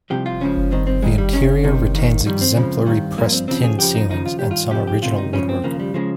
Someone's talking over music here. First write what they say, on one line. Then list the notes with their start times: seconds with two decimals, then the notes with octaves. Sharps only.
The interior retains exemplary pressed tin ceilings and some original woodwork.
0.10 C2 C3 F3 G4
0.26 F4
0.40 C#2 C#3 F3 C#4
0.71 G2 D#3 C4
0.87 C4
1.02 G2 D#3 G#3
1.18 G3
1.33 D#2 D#3 C#4
1.63 C2 C3 D#3
1.95 D#2 D#3
2.26 F2 D#3 G3
2.41 C4
2.56 C#2 C#3 F3
2.86 G2 D#3
3.18 G2 F3 A#3
3.33 C4
3.48 D#2 C#3 F3 C4
3.63 G#4
3.79 F2 C#3 F3 G4
3.95 D#4
4.10 D#2 C#3 F3 D#4
4.26 F4
4.39 G2 D#3 G4
4.51 F4
4.71 F2 C3 F3 G4
4.87 G4
5.02 C#2 C3 D#3 F4
5.18 D#4
5.33 C#2 C#3 F3 C#4
5.49 C4
5.64 D#2 C#3 F3 A#3
5.80 G3
5.94 C#3 F3 G#3